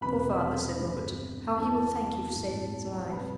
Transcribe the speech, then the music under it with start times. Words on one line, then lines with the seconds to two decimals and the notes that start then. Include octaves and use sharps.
"Poor father," said Robert; "how he will thank you for saving his life."
0.01 E1 E2 C3 B4 B5
0.79 G2 D3 G3 C4
1.57 E2 C3 E3 B3 A4 A5
2.35 A1 G2 E3 A3 C4
3.12 C2 C3 G3 C4 B4 B5